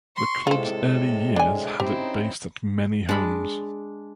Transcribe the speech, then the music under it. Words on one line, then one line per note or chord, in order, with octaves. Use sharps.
The club's early years had it based at many homes.
C6 C#6
A2 C3 G#3 F4 A4 C5
D4 G#5
C#3 C4 D#4 E4 G4
G#3 D4 B5